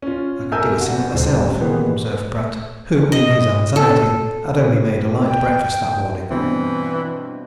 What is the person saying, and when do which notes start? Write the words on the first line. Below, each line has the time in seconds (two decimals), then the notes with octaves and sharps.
"I could do with something myself," observed Pratt, who, in his anxiety, had only made a light breakfast that morning.
0.02 C#4 F4
0.52 A4 A#4 E5 G#5 E6 G6
0.81 F#4
1.14 D#1 C#3 C5
1.60 A#2 D#3 E3 B3 G4 G#4
3.12 D#5
3.76 A4
5.26 G5
6.31 G2 B2 E3 C4